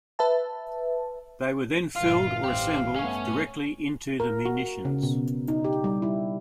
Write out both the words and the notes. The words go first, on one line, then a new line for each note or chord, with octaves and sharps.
They were then filled or assembled directly into the munitions.
B4 E5 A5
G1 A#2 E3 F4 F5
A1 G2 E3 G4 C5
G2 A3 B3 C#4 C#5
A#4
F#4
C#3
B2
D#4
G4
G3
E4